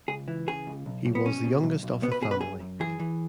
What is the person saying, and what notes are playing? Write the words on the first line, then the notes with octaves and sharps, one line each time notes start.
He was the youngest of the family.
C#2 G#4
E3
C#3 G#4
C#2
B1
B1
B3
B2 C#4
B2
B1
B1
B2 B3
B4
B2 G#4
B4
F#2 G#4
F#2
E3 G#4
E3